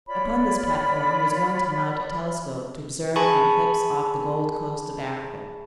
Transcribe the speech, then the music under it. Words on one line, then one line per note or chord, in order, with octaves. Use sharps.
Upon this platform he was going to mount a telescope to observe an eclipse off the Gold Coast of Africa.
F4 C#5 D5 B5
G#4 G#5 A5 B5 C#6